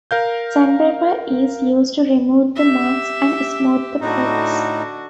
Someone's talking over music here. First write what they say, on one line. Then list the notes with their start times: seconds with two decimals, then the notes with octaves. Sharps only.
Sandpaper is used to remove the marks and smooth the frets.
0.11 A#4 F5 G6
2.56 G4 E5
4.01 A2 D3 D#4 F#4